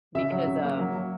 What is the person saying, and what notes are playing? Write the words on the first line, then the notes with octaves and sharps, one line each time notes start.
Because, uh
C#3 E5
F#3
C#3
A#3
F#3
F#3